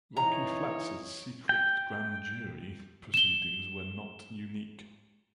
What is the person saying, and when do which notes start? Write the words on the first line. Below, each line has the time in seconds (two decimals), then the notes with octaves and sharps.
Rocky Flats' secret grand jury proceedings were not unique.
0.17 E3 D#4 C#5 A#5
1.49 G5
3.14 E7 G7